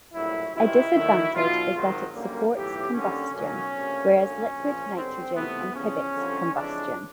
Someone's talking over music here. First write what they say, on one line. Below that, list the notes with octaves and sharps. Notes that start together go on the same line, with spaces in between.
A disadvantage is that it supports combustion, whereas liquid nitrogen inhibits combustion.
A#1 A2 F#3 E4
C#2 C3 D#3 G#3 E4
D#2 D#3 F#3 A3
B1 B2 F#3 F4
G#1 G#2 D#3 F#3
F#2 D3 G3 A#3
B1 A2 E3 G4
D#2 D3 G3 C#4
B1 B2 F#3 A#3 C#4
D2 C3 F3 A#3
F#2 D3 F#3 A#3 C#4
A#1 A2 F3
G#1 G2 D3 C4
C#2 C3 E3 A3 B3
E2 C#3 F3 C#4
F2 D3 G3
F2 C#3 E3 G#3 D4